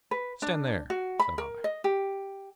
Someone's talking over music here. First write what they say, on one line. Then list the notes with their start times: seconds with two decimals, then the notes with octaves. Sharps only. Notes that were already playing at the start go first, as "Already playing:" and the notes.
"Stand there," said I.
0.11 B4
0.42 D4
0.90 F#4
1.19 B5
1.38 A#4
1.64 D#5
1.84 G4